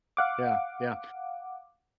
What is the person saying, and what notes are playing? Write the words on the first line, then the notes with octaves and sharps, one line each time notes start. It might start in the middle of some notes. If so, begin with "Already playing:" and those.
Yeah, yeah.
F5 F#5 D6